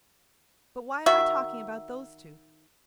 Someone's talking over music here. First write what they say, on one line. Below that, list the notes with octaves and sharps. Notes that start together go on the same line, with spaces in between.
But why am I talking about those two?
D#3 F#4 E5